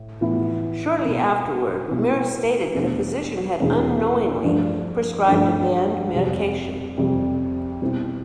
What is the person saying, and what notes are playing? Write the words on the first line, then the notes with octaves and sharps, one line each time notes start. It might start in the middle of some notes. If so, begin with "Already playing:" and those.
Shortly afterward, Ramirez stated that a physician had unknowingly prescribed a banned medication.
Already playing: A2
A2 E3 B3 E4
B2 B3 E4
B2 B3 E4
E2 B2 A3 D4
E2 B2 A3 D4
G2 F3 A3 D4
G2 F3 A3 D4
F2 C3 G3
F2 C3 G3
B2 G3 C4 E4